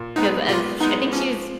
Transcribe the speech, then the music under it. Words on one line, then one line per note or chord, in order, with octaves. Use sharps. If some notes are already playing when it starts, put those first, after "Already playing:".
'cause as sh I think she's
Already playing: A#2
G#3 B3 D#4
A#2 F4
G#3 B3 D#4
F3 C#4